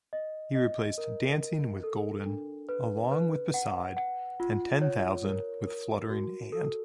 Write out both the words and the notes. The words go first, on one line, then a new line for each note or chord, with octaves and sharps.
He replaced "dancing" with "golden"; "along" with "beside"; and "ten thousand" with "fluttering and".
D#5
D#5
A#4
A#4
A4
D4
B4
B4
F#5
F#5
F4
C#5
A#4
A#4
F#4
A4